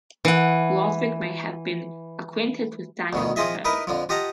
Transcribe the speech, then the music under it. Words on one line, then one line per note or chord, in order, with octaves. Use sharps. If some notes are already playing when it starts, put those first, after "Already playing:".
Lodwick may have been acquainted with Daniel Defoe.
E3 F#5
D2 B2 D#3
F3 C4 F4 G#4 D#5 E5
D#4 E4 A#4 B4 D#5
F2 D3 F3
F4 G4 D#5 F#5 A5 A#5